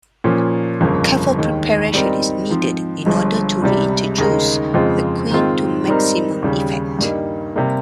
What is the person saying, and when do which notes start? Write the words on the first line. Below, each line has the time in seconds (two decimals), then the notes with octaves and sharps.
Careful preparation is needed in order to reintroduce the queen to maximum effect.
0.24 A#2 F3 A#3 C#4
0.81 G1 F2 C#3 F3 A#3
1.37 D#2 D#3 G#3
1.93 G#2 G3 C4 D#4 A#4
2.49 G#2 F3 C4
3.05 G1 G2 F3 G#3
3.62 C#2 C3 G3
4.18 D#2 C#3 G#3 D#4 A#4
4.74 F2 C#3 G#3 C4 F4
5.30 G#2 D#3 G#3 C4 F4
5.87 G#2 G3 C4 D#4 A#4
6.42 D#2 C#3 G3
6.99 G2 G3 A#3 D#4
7.56 C3 G3 A#3